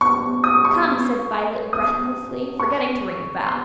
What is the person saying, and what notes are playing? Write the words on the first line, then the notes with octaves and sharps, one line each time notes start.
"Come," said Violet breathlessly, forgetting to ring the bell.
C#6
D#6
C#6
D#6
C#6
C6